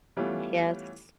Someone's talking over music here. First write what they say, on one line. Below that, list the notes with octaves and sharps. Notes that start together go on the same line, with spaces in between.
Mm, yes.
E3 G3 A3 B3 C#4 F4